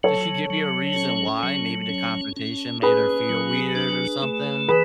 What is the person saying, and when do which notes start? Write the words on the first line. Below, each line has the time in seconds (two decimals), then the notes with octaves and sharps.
Did she give you a reason why? Maybe the confrontation made her feel weird, or something?
0.03 F#3 A4 C#5
0.50 F#3
0.96 C#4
1.43 F#3
1.89 C#4
2.37 C#4
2.82 C#4 G#4 B4
3.29 F#3
3.75 D4
4.22 A3
4.68 E3 G#4 B4